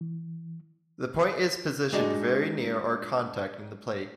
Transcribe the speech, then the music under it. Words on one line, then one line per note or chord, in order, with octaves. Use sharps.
The point is positioned very near or contacting the plate.
E3
G#3 D4 D#4 F#4